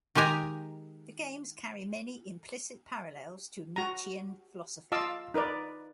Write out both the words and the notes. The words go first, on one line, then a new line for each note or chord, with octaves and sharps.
The games carry many implicit parallels to Nietzschean philosophy.
D#3 G#3 G4 G#5 A#5
F#4 A#5
F4 D#5 F5 A5 D6 E6
D#4 A#4 B4 D5